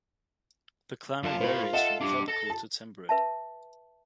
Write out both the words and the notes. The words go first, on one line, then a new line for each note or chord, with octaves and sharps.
The climate varies from tropical to temperate.
F#2 F4 A5
A2 A#4 C5 B5
A4 D#5 E5 F#5 E7
D4 G4 D6
A4 A#6
A5
B4 E5 A5